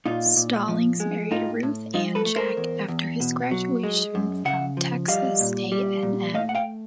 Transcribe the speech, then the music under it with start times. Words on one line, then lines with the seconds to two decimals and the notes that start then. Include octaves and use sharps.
Stallings married Ruth Ann Jack after his graduation from Texas A and M.
0.06 A#2 D#4 F4
0.37 A#2
0.68 F3
1.00 G#3
1.31 A2 D#4 F4
1.63 A2
1.94 F3 D#4 F4
2.15 A4 B4
2.26 A3
2.36 A#4 C5
2.57 E2
2.88 E2
3.20 B2
3.51 F#3
3.83 G#3
4.15 F#2
4.45 C#3 E5 F#5
4.77 F3
5.08 G3 D#5 F5
5.40 A#2
5.72 G3
6.03 A#2
6.34 A3 D#5 F5
6.49 F#5
6.55 F5 G5